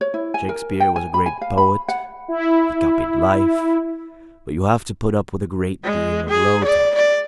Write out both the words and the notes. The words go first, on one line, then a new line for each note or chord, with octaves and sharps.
"Shakespeare was a great poet; he copied life, but you have to put up with a great deal of low talk."
C#5
E4
G#5
A#4
G5
G#5
B5
G#5
F5
B5
F#5
E4
G#3
G#4
D5
D5